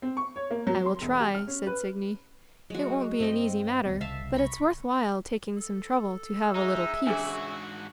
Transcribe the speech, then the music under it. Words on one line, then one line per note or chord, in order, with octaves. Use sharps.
'I will try,' said Signy; 'it won't be an easy matter, but it's worth while taking some trouble to have a little peace.'
C4
C#6
C#5
A#3
F#3
C6
E1
G4
F6
C#4
B4
F#3 G#3 F#4
G2 C4 D#5 G5
D2 G#3 B3
C2 C#3 E5 F5 A5
A#5 B5 C#6
A4
G#3 D#4 E5
G#2 C#3 D4 F#4 G#4